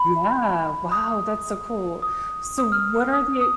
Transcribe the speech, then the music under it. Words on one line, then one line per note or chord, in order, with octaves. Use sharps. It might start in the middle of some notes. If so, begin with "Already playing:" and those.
Yeah, wow, that's so cool. So what are the
Already playing: B5
D#6
D#6
D#6
F6
D#6
D#6